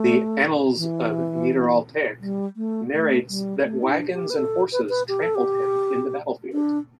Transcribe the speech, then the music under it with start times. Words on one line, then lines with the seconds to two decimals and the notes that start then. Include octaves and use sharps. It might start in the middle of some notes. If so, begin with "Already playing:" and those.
The "Annals of Niederaltaich" narrates that wagons and horses trampled him in the battlefield.
Already playing: A3
0.77 E3
2.21 G3
2.56 A3
2.93 A3
3.29 G3
3.64 A3
3.82 E4
3.89 D4
4.13 G4
4.30 B4
4.36 A4
4.72 B4
4.89 B4
5.08 G4
5.22 A4
5.35 G4
6.53 D4